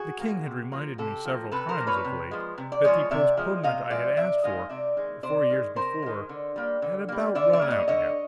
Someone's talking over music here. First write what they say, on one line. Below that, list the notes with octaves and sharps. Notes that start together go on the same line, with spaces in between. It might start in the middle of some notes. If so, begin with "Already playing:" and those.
The king had reminded me several times, of late, that the postponement I had asked for, four years before, had about run out now.
Already playing: F#4 G#4
F3 A#3
C3
F3 A#3
C3 G4 A4
F3 A#3
C3 A4 B4
A#4 C5
F3 A#3
B4 C#5
C3
F3 G#3
C3
D5
F3 G#3 C#5 D#5
C3 D5 E5
F3 G#3
C3 D#5 F5
F3 G#3 D5 E5
C3 D5 E5
D#3 G#3 D#5 F5
C3 D5 E5
D#3 G#3
C3 C5 D5
D#3 G#3
C3 A#4 C5
D#3 G#3
D3
G3 A#3
D3
G3 A#3
D3 D5 E5
D5 E5
G3 A#3
C#5 D#5
D3 C#5 D#5